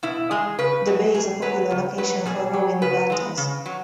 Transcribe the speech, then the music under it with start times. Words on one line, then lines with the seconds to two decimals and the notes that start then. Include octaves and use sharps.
The bay is a popular location for rowing regattas.
0.03 B2 E4
0.31 G#3 G#4
0.59 C#3 B4
0.86 F#3
1.15 B2 G#4
1.42 F#3 B4
1.70 C#3
1.98 F#3 B4
2.26 B2 G#4
2.53 F#3
2.82 C#3 B4
3.10 E3 G#3
3.38 C#3
3.66 F#3